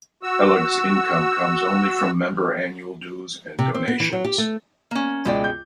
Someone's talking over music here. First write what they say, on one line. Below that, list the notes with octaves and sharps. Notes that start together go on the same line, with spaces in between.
Hellug's income comes only from member annual dues and donations.
F#4 E6
C3
C4
B3
E3
F#3
G4
A3
A#3 C#4
C#2 B2 G#3 D5 G5
G6